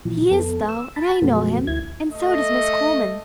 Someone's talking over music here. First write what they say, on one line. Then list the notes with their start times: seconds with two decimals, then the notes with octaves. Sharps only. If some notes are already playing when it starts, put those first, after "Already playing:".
"He is, though; and I know him, and so does Miss Coleman."
0.05 A#2 E3 F3
0.31 F2 B3 A4
0.69 E6
0.96 A5 B5
1.22 F#2 B2 F3 A3 B3 F#4
1.67 D2 E4 G#6
2.11 A3 D#5